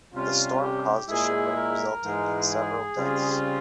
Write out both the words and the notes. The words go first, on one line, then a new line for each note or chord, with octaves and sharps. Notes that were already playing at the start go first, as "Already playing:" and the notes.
The storm caused a shipwreck resulting in several deaths.
C3 G3 C#4 F4
G4
A#2 G#3 E4 G#4
A#4
G#2 E3 G#3
G#4
C#3 G3 C4 F4